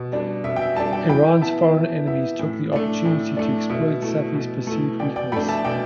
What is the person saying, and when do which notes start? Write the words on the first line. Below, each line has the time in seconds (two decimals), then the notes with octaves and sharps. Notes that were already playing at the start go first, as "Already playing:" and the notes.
Iran's foreign enemies took the opportunity to exploit Safi's perceived weakness.
Already playing: B2
0.12 G3 D4
0.44 B2 E5
0.56 G5
0.61 E5
0.76 G3 D4 E5 A5
0.93 D5 G5
1.09 E3 G5 B5
1.41 B3 E4 E5 A5
1.74 E3 E5
2.07 B3 E4 E5
2.39 A2
2.73 A3 D4
3.05 A2
3.37 A3 D4
3.69 B2 E5
4.02 A3 E4
4.34 B2
4.67 A3 E4
4.99 B2 D5 G5
5.16 D5 G5
5.32 A3 D4 G5 B5
5.49 E5 A5
5.64 B2 D5 G5